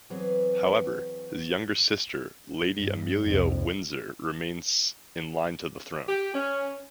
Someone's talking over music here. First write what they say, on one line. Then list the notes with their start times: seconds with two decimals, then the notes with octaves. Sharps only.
However, his younger sister Lady Amelia Windsor remains in line to the throne.
0.10 E3 F#3 B3 C4 G#4
2.79 G2
3.23 C2 F2
6.07 G4
6.34 C#4